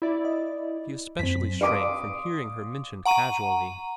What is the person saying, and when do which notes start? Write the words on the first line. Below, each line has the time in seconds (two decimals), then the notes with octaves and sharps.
She especially shrank from hearing her mentioned casually.
0.02 E4 D5
0.25 D#5
1.19 F#2 C4 B6
1.61 F5 C6 D6 D#6
3.05 F#5 A#5 C#6 D#7